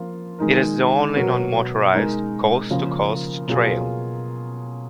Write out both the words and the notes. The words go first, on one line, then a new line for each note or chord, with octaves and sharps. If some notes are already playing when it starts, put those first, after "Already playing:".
It is the only non-motorized coast-to-coast trail.
Already playing: F3 A#3 F4
D#3 G#3 D#4 A#4
B2 F#3 B3 F#4 A#4
G#3 D#4 A#4
C#3 F3 A#3 F4 A#4
B2 F#3 A#3 F4 G#4